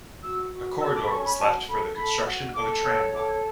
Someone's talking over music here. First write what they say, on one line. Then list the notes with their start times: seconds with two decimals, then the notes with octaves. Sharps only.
A corridor was left for the construction of a tram line.
0.23 F#4 E6
0.52 F#4
0.81 A4 E6
0.96 D6
1.04 B5
1.10 C#4 C#6
1.24 B5
1.39 F#4 A5
1.67 A4 B5
1.96 A4 B5
2.25 F#4
2.54 A4 D6
2.83 C#5 E6
3.12 A4 D6